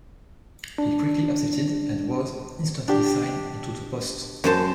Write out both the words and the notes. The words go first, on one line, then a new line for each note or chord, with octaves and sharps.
He quickly accepted, and was instantly signed into the post.
D4
D4 G4
F#2 C5 A5